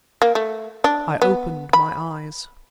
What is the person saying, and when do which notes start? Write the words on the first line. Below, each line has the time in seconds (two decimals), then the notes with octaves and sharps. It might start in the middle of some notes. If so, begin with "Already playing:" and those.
I opened my eyes.
0.22 A#3
0.35 A3
0.84 D4
1.22 B3
1.73 B5